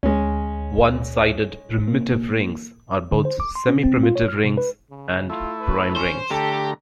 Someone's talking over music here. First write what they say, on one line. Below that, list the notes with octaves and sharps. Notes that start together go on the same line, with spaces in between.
One sided primitive rings are both semiprimitive rings and prime rings.
D2 G#3 C#4
A#3
D3
C5
D6
C6
C#4
C4
F4
C#5
F6
C3
B4
C#3
A3 E4 F4
B4
C#4 C5
D3 A3 G4 A4 A#5